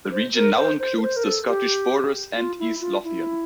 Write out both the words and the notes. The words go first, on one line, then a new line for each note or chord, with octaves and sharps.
The region now includes the Scottish Borders and East Lothian.
C5
A#4
C5
C5
A#4
C5
A#4
A4
G4
F4
E4
F4
E4